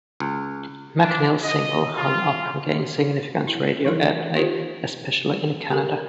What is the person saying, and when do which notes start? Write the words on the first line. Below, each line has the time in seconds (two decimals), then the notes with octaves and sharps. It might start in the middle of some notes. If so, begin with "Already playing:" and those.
McNeil's single "Hung Up" gained significant radio airplay, especially in Canada.
0.20 C#2
1.02 D4
1.43 D#5
1.97 F4
3.47 E4
3.85 E3 D#4 E4 A#4 C6
4.35 D#4 F4 G4 C5
5.70 G4 A4 A#4